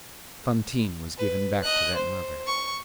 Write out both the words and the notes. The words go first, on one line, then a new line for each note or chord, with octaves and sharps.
Fantine was given back to that mother.
B4
D#5 F#6
C5
C#6